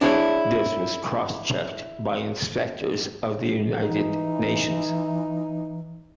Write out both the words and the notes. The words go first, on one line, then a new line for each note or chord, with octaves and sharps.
This was cross-checked by inspectors of the United Nations.
D4 E4 G#4 A4 C#5 D5
E3 D#4